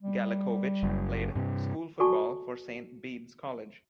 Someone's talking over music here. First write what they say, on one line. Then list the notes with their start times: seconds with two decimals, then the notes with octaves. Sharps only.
Galekovic played school football for Saint Bede's College.
0.03 G3
0.83 F#1 F#2
1.35 G2 C3
2.00 F#4 A4 D5 G#5 A5 C#6